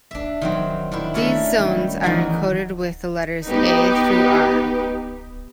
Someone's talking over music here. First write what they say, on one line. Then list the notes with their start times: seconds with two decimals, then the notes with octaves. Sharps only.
These zones are encoded with the letters "A" through "R".
0.11 D4 E5
0.41 D#3 F#3 C4
0.92 D#3 D4 E4
1.14 A3 C#4 D4 A4 A#4 C#5
1.58 D#3 G3
2.03 E2 D#3 D#4 F#4 A#4 G#5
3.49 B3 D#4 G4 B4